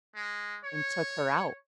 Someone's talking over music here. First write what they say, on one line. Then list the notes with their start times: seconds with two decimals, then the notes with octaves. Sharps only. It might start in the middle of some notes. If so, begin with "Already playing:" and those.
and took her out,
0.15 G#3
0.64 C#5